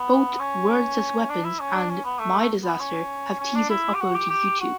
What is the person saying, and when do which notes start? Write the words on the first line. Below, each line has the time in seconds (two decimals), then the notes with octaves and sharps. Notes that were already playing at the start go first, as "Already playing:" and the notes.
Both "Words As Weapons" and "My Disaster" have teasers uploaded to YouTube.
Already playing: B3
0.40 C#4
1.30 D4
1.45 E4
1.60 C#4
1.74 D4
1.90 C#4
2.05 B3
2.20 A3
2.65 B3
2.80 C#4
3.40 C#4
3.55 D4
3.70 E4
3.95 G4
4.00 F#4
4.15 G4
4.30 G4
4.61 F#4